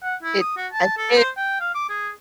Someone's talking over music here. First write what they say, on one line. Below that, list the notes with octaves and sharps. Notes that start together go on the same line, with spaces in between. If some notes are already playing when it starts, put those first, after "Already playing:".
It I did
F#5
E4
D#6
F#4
A5
A4
C5
G5
F5
D6
G#4